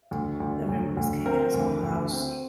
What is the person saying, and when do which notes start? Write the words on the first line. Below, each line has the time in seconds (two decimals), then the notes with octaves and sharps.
Every one is king in his own house.
0.11 D2
0.40 D2
0.68 D2
0.97 D2
1.25 C4 A#4
1.54 D2
1.83 D2
2.12 C4